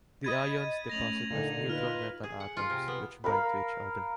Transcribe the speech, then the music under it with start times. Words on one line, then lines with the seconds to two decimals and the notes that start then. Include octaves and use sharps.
The ions deposit as neutral metal atoms, which bind to each other.
0.24 D#5 B5 G#6 A6 D#7
0.90 A3 C#4 A#6 F7 F#7
1.30 A#2 D3 D#4
1.69 D#4 F4 B4 F6
2.23 G#4
2.40 F#5
2.57 F4
2.70 C3
2.88 B3
3.24 A#4 F5 B5